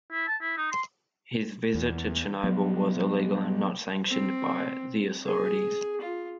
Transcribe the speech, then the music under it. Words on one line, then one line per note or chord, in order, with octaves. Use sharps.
His visit to Chernobyl was illegal and not sanctioned by the authorities.
E4
A5
E4
D#4
C6
E2
F#3 B3
C4
G#4
F4